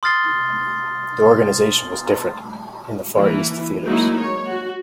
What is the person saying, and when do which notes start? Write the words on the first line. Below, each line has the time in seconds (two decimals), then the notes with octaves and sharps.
The organization was different in the Far East theatres.
0.03 C6 D#6 F6 A6 C7 G7
3.16 E3 A#3 E4
3.83 F#3 G#3 A#3 D#4 E4
4.17 C#5
4.47 F#4